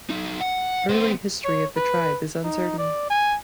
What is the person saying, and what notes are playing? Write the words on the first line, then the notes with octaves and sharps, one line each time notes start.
Early history of the tribe is uncertain.
F#3 D#4
F#5
B3 C5
C#5
B4
D#4
D5
G#5